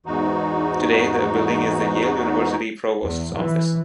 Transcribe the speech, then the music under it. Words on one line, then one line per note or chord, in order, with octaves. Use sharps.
Today, the building is the Yale University Provost's Office.
E2 G#2 E3 D#4 F#4
E2
E3